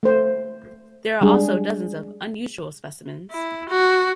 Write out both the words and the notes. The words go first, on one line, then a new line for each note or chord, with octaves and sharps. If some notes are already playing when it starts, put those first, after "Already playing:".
There are also dozens of unusual specimens.
A3 C5
G3 G#3 D4 G#4
E4
F#4